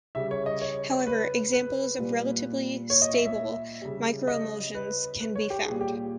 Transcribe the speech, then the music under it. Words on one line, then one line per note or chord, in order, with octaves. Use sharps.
However, examples of relatively stable microemulsions can be found.
C#3 G3 E5
C#5
D#5
C#5
B4
B4
A#2 G3
C#5
D#5
E5
E5
C#3 G3
D#5
B4
B4
C#5
G4
A#2 G3 G#4
G4